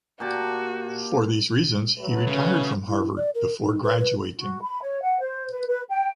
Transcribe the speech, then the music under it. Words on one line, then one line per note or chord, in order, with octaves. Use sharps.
For these reasons, he retired from Harvard before graduating.
A#2 F#4 G4 A5
F#3 A3 B4
C#3
E4
D5
A#4
D#4
B4
B4
F#4
B5
C#5
F#5
C5
B4
B4
G5